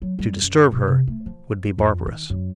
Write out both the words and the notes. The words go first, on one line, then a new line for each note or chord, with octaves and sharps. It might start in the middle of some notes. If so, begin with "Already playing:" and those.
To disturb her would be barbarous.
F#3
G3
F#2
B2
C3
A3
F3
F2
D#3
F#2